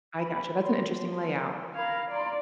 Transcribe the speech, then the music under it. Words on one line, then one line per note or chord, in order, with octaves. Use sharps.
I gotcha. That's an interesting layout.
B5
C6
A#4 F5 B5 G#6
D5 A#5 C6